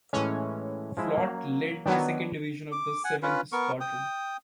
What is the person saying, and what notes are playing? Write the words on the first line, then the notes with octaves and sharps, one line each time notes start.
Flotte lead the second Division of the Seventh Squadron.
A2 E3 G#3 C#4
F3 G#3 E4
F#3 A#3
D#3 F#3 B3 D4 B4 C#5
D6
F#5 G#5
C#4 F4 B4
B3 A#4 C#6
G5 D#6